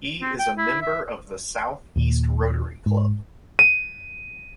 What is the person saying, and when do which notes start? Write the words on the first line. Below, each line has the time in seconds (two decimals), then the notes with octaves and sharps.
He is a member of the South East Rotary Club.
0.22 C4
0.39 G5
0.58 E4
0.82 E5
1.96 D#2 A#2
2.86 G#2
3.59 D#7